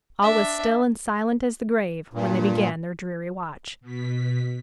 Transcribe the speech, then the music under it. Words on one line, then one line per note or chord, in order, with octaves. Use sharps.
All was still and silent as the grave when they began their dreary watch.
D4 E5
G2 A#2
B2 B6